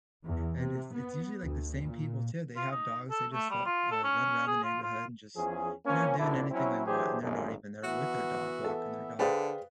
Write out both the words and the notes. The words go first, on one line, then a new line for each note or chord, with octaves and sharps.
and it's it's usually, like, the same people too, they have dogs, they just let uh, run around the neighborhood and just, you know, doing anything they want, and they're not even there with their dog walking their dog.
E2
C3
B3
D2
A#2
F4
D#4
A4
A3
G3
F4
A4
C#4
G#4
F4
F4
E2 F3 C#4 G#4
F3 A#3 C4 C#4
A#1 B2 D3 D4 E4
F#3 C4 C#4 E4
E3 F#3 D4 G4 G#4 C5
G#1 F#2 A#2 D3 G3 G#3
E3 B3 F#4 E5
A4
D3 G#4 B4 C5 D5 F5 G5